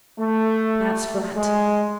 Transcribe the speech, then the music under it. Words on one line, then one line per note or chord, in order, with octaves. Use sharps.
That's flat.'
A3
G#3